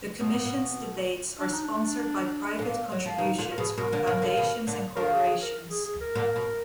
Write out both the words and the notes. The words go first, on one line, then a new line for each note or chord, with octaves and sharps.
The Commission's debates are sponsored by private contributions from foundations and corporations.
B2 B3
A#2
B2
D4
D#4
D4
A#2 D3
F#3
F3
B2 D#3 D#4
A#2 D3 F4
A#4
B2 G#4
B2 A#4
A#2 D3
B2 D#3
D3 F3
B2 D#3
A#2 D3
D3 F3 A#4
G#4
G#4
A#4
G#4
G#4
A#4
A#2 D3
B2